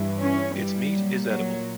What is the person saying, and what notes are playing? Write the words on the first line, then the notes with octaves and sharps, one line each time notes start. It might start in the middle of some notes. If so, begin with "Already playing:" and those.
Its meat is edible.
Already playing: G2 E3
C#4
G3
A#2 F#3
F#3